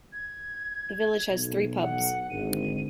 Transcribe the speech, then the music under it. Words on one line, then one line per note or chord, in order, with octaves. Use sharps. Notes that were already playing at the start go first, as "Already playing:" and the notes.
The village has three pubs.
G#6
B1
F#5
G#1 D3 D#7